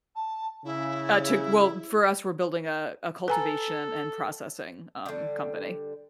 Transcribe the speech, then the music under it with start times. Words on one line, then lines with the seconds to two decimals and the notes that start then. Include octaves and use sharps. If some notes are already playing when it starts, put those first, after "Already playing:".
Uh, to well, for us, we're building a a cultivation and processing, um, company.
0.16 A5
0.65 C#3 E4
3.28 A4 B4 G#5 A#5
5.06 D3 G3